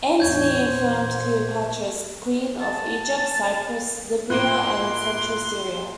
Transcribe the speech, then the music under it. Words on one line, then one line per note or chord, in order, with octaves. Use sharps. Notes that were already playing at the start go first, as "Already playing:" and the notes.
Antony affirmed Cleopatra as queen of Egypt, Cyprus, Libya and central Syria.
E2 A2 C#5 G6 G#6
A#2 C5
A5
A2 A#3 F4 C6 F#6 D7